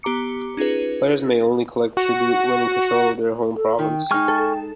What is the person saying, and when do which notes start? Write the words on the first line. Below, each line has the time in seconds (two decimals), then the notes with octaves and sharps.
Players may only collect tribute when in control of their home province.
0.03 B3 G4 A#5 D6 C#7
0.57 C#4 D#4 F4 G#4 B4
1.97 F#4
3.55 A4
3.79 D#3 G5
4.11 G#3 D#4 G#5 C#6 F6
4.28 A4